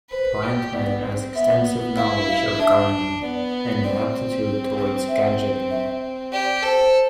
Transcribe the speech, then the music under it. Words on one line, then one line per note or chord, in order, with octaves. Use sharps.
Plantman has extensive knowledge of gardening, and an aptitude towards gadgetry.
B4 C5
G4
B3 D5
C4
B3 E5
E4 F5
F5
D4 E5
B3 D5
C4 D5
C5
C5
E5
E5
G4 D5
A4 C5